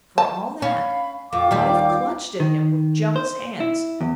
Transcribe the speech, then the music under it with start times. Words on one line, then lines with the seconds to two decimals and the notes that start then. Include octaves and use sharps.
For all that, life clutched at him with jealous hands.
0.18 A5
0.62 C#4 F5 B5
1.33 F2 F4 F5 D6
1.51 D#2 G3
2.40 D#3
3.16 C5
3.60 E4
4.01 E2